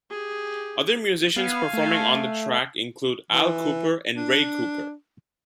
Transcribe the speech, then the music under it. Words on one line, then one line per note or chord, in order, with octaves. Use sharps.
Other musicians performing on the track include Al Kooper and Ray Cooper.
G4 G#4
B3 F5 G#5
A3
E3
D4